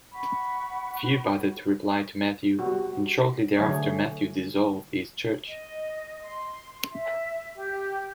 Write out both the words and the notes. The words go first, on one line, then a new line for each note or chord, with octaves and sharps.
Few bothered to reply to Mathew and shortly thereafter Mathew "dissolved" his church.
F#5 B5 C#6
G3 F#4
D3 F#3 A3 G#4 C#5
D#5
C6
E5
G4